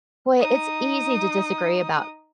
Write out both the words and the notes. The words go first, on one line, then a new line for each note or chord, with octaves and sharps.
boy, it's easy to disagree about
D#4 D#6